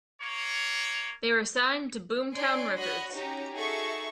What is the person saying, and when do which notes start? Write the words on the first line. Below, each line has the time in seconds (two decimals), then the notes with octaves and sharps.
They were signed to Boomtown Records.
0.21 A#3 C#5
2.34 D4 C#5 D5 G#5 C6 D7
2.77 F#4 C#5 D#5 B5 F#6
3.15 C#4 D#4 F#4 G4 A#5
3.54 D#4 F#4 G#4 A4 E5 C#6